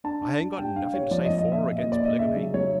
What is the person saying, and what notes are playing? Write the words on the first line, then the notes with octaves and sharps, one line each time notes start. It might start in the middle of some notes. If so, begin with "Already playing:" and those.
I ain't got nothin' to say for or against polygamy.
D4 A5
D4
D4
G3 G5
D4 F5
G3 C#5
F3 D5
D#5
F3
D#5
A#2 E5
A#2
A#2 D#5
D5
A#2 D#5
C#3 E5
F#3
F#3 C#5